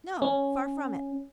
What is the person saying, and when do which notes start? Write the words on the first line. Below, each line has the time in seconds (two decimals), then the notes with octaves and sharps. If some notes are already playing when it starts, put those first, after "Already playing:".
No; far from it.
0.22 C#4